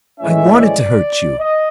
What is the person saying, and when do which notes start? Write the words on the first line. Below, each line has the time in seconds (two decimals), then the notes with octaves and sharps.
I wanted to hurt you.
0.19 A2 E3 G#3 C#4 E5
0.60 D5
1.39 D#5